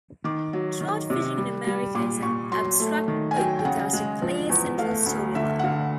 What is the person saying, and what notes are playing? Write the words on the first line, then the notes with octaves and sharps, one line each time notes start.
"Trout Fishing In America" is an abstract book without a clear central storyline.
D#3 D6
F#3
D#3
C3
G3
G3
A#2 D6
A#2 C#6
F#3 C6
A3
D#3
G#5
F#3 G5
G5
C#3 F#5
G#3
F3
E2
A3 F5
D2
D3 E5
F#5
D3 F5